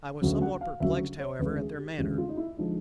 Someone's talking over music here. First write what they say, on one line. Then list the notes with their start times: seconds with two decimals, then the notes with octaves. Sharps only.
I was somewhat perplexed, however, at their manner.
0.22 D2 C#3 F#3
0.42 F#5
0.61 F5
0.80 D2 C#3 F#3 E5
1.20 C#5
1.39 D2 C#3 E3 G#3 B4
1.59 G#4
1.79 G4
1.98 D2 C#3 E3 G#3 G4
2.18 F4
2.29 D#4
2.37 E4
2.57 D3 F3 G#3 D#4